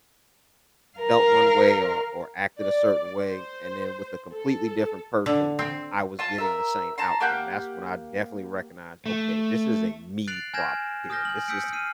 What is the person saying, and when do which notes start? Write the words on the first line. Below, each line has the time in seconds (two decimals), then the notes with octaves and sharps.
felt one way or or acted a certain way, and then with a completely different person, I was getting the same outcome, that's when I definitely recognized, "Okay, this is a me problem here, this is
0.99 A#4 F5
2.59 D5
3.22 C5
4.33 A4
5.26 D3
5.59 C4
6.19 F4 A5
6.38 A#4 E5
6.98 A5 A#5 C6
7.20 A#3 G4 F#5 G6
9.06 A3
10.28 F#6 A6 C7 D7 F7 F#7
10.54 G#5 F6 G6 G#6 A#6 E7
11.09 G#5 D#6 F6 G6 A#6 G7
11.25 G#5 F#7
11.48 D#6 E6 G6 B6 C#7 D7
11.73 F6 C7 D#7